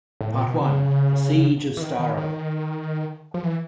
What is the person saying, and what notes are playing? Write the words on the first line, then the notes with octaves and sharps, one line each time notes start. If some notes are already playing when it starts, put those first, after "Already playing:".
Part One", "The Siege of Starro!
A2
A#2
B2
C#3
E3
D#3
D#3
D#3
F3
E3